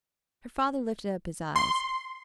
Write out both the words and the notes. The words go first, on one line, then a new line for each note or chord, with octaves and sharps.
Her father lifted up his eyes.
C6